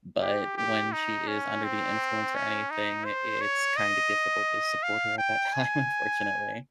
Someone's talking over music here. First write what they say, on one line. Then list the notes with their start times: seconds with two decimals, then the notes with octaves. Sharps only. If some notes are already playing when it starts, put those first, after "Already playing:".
but when she is under the influence or anything, i it's kinda difficult to support her at that time, unfortunately.
0.21 G4
0.57 G4
0.92 D#4
1.28 C#4
1.64 C4
2.35 C#4
2.70 D#4
3.05 C5
3.41 C#5
3.77 D#5
4.83 F5
5.18 G5
5.53 G#5